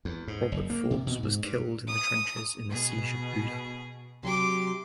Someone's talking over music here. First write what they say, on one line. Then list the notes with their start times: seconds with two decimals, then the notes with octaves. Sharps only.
Robert Forbes was killed in the trenches in the Siege of Buda.
0.05 E2
0.28 G#2
0.52 F#1
0.70 A#3
0.91 C3
1.07 B2
1.23 G#2
1.44 G2
1.88 D#6
2.70 B2 G#4
4.23 C3 F#3 G4 C6 D6